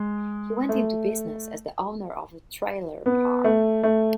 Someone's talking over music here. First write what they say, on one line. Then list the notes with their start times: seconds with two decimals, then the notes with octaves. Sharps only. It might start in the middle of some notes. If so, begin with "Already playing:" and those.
He went into business as the owner of a trailer park.
Already playing: G#3
0.69 A3
3.06 B3
3.44 A3
3.83 A3